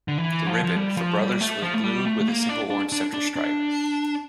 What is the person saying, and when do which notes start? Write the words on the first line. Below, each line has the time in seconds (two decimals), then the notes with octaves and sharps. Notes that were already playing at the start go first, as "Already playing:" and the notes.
The "ribbon" for Brothers was blue with a single orange central stripe.
0.08 D3
0.18 E3
0.47 F3
0.64 F3
0.76 G3
0.97 F3
1.19 G3
1.41 A3
1.62 F3
1.74 A3
1.84 G3
2.05 A3
2.21 A3
2.28 A#3
2.49 D4
2.70 D4
2.92 D4
3.14 D4
3.36 D4